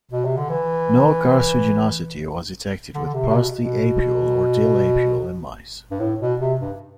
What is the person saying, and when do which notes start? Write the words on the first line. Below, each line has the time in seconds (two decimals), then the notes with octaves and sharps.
No carcinogenicity was detected with parsley apiol or dill apiol in mice.
0.11 B2
0.25 C3
0.37 D3
0.49 E3
2.94 D3
3.05 D3
3.14 C3
3.28 C3
3.35 B2
3.55 B2
5.91 G2
5.99 A2
6.20 B2
6.39 C3
6.60 G2